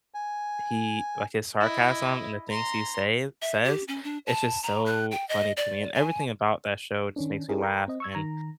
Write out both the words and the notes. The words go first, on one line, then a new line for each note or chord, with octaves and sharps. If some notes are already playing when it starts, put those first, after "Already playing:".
he like his sarcasm and the things he say says, it's just so funny to me, and everything about that show just makes me laugh, and
G#5
E4 D#5
A#5 C6
E5
G4
C#4
D4
A5
A#5
F#6
G5
D#5
D5
G#5
D#3 C#4 D4
C#4 D#4 E4 G4 G#4 A#4
A#4 G5 A#5
C4 D#5
C#6 E6 G#6
D#3 A#5